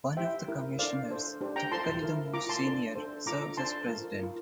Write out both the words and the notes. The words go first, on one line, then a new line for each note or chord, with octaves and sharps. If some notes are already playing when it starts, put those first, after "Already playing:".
One of the commissioners, typically the most senior, serves as president.
E4 G4 C5 E5 G5
E4 G4 A#4
D4 A4 C5 D5 F5
D4 A4 C5
D4 G4 C5
G5 A#5
F4 A4 C5 A5 C6
E4 A#4
F4 A#4 A#5 D6
A5 C6
D4 A4 C5
D4 A4 C5
D4 F4 A4 A#5 D6
D4 A4 C5 A5 C6
F4 A#4
F4 A#4